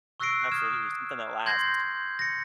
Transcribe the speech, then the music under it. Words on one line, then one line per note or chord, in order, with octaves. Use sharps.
Absolutely, something that lasts.
C#6 E6 F#6 A#6 C7 D7
D#6 F6 G#6 E7
C6 G6 G#6 A#6 C7
A#6 C#7